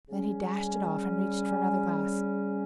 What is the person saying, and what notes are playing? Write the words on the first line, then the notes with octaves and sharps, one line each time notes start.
Then he dashed it off, and reached for another glass.
C#3 G3 C#4